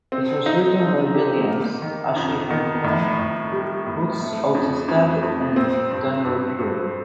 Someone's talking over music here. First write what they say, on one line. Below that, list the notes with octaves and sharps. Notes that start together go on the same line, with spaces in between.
It was written by Williams, Ashley Hamilton, Boots Ottestad and Daniel Pierre.
C4
D#4
F3
G4
A#3
D#3
F2
D#3
A2
A2
G3
A2
A3
F2
F2
F2
C4
G2
G2
G2